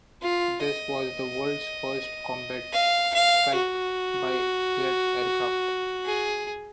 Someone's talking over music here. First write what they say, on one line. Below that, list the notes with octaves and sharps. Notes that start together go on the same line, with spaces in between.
This was the world's first combat strike by jet aircraft.
F4
D#5
F5
F5
F#4
G#4